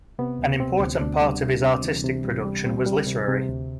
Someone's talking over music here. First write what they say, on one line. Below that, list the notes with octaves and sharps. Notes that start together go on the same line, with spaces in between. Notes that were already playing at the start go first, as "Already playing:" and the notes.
An important part of his artistic production was literary.
C3 B3
D2
C3 C4
D2
D2 D4
G3
C3
C3
E3
C3
G3
G3
G3 C4
G3
C3
C3
D2